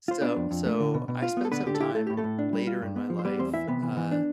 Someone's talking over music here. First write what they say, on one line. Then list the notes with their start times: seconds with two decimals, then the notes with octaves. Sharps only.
So so I spent some time later in my life, uh,
0.08 F4 C5
0.21 B3 D4 D5
0.36 F2
0.51 F2
0.66 A3
0.80 D3
0.94 B2
1.08 B2
1.22 F4
1.37 B3
1.45 A4
1.51 D3 B3 B4
1.66 D3 G4
1.75 A4
1.80 E4 G4
1.95 A3 A4
2.07 A2 G4
2.17 A3 A4
2.24 A2
2.39 D4
2.53 G3
2.67 F4
2.82 G2
2.96 B3
3.10 F3
3.19 C5
3.25 G3 B3 B4
3.39 E2 C4 C5
3.53 E3 E4 E5
3.67 C3 B3 B4
3.82 E3
3.97 E3
4.11 D4